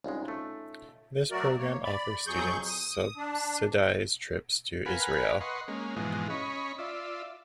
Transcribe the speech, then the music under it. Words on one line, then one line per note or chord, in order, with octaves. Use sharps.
This program offers students subsidised trips to Israel.
C2 G#3 C#4 D#4 F4
A3
F#3 A3 F#4 A#4 D5
A#3 C#5
D5 B5
F2 F#3 G#4 C#6 G6
D#6
D4
A#4 B4 F5 F#5 G#5 B5
B4 D#5 F#5 C6 C#6
G#3 A#3 C#4
G#2 B2 E3 F3 G#3
C#4 D#5 B5 C#6
F4 D5 E5